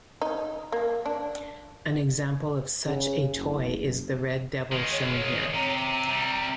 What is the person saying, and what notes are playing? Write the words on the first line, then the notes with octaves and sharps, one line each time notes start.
An example of such a toy is the red "devil" shown here.
D#4
A#3
D4
C#3
F#1
D#3 G#3
C#5
C3 A#5
C3 G3